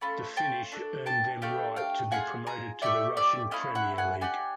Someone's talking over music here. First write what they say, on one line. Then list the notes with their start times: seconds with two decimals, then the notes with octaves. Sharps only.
This finish earned them right to be promoted to the Russian Premier League.
0.01 A3 C#4 F4 A5 B5
0.37 G5 A5
0.72 D4 F#4 A4
1.06 G5 A5
1.42 A3 D4 G4 F5 G5
1.76 F5 G5
2.12 D4 F4 G#4 F#5 G#5
2.47 G#5 A#5
2.82 A3 D4 G4 D5 E5
3.17 D5 E5
3.51 A3 C#4 E4 D#5 F5
3.75 E5 F#5
3.98 F#5 G#5
4.21 D4 G4 F#5 G#5